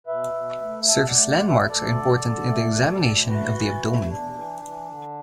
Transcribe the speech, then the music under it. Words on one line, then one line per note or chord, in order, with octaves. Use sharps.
Surface landmarks are important in the examination of the abdomen.
B2 B4 E5
B2
A3
B2 E5 A5
D5 F#5
A3
D5 F#5
B2
B4 E5
D2 A4 D5
D3
D3
A3
D2
D2
A3 F#4 B4
E3
A3
E2 D4
E3
E3
D3